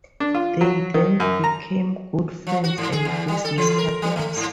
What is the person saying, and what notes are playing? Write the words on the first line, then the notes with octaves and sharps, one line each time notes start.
They then became good friends and business partners.
D4
F4
F#3
D#3
F#2
A#5
F3
F#4
G#2
G#4
E2
G3
A4
E3
A#4
G3
A3
G#2